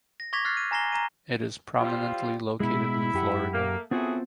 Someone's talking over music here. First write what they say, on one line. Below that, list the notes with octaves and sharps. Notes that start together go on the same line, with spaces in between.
It is prominently located in Florida.
A#6
C#6 D6 G#6 A#6 B6 F7
F6 F#6 A6 C7
D#7
G#5 A#5 A#6 C7 G7
A#5 D#7
G3 C4 F4
B2 G#3 E4
F#2 G4 F#5
A3 A#3
A2 B3 C4 F4 F#4 G#4